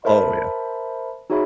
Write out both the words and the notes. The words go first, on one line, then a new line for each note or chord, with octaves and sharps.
Oh, yeah.
A#4 C5 E5 A5 B5
D#4 F#4 G#4 C#5 E5 B5